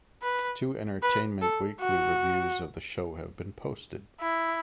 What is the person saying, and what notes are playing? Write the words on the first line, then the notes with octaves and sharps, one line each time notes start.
Two "Entertainment Weekly" reviews of the show have been posted.
B4
B4
A4
F#4
E4